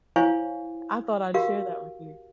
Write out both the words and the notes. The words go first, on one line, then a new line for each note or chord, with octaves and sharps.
I thought I'd share that with you
E4 C5 C#5 F5 G#5 C#6
F#4 G4 A#4 F5